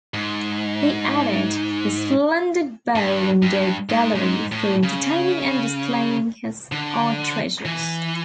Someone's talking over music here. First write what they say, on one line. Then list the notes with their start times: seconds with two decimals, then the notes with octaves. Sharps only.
He added the splendid bow windowed gallery for entertaining and displaying his art treasures.
0.14 G#2
2.96 G2
3.42 G2
3.89 G#2
4.15 A2
4.21 G#2
4.52 A2
4.83 C#3
6.72 D3
7.65 E3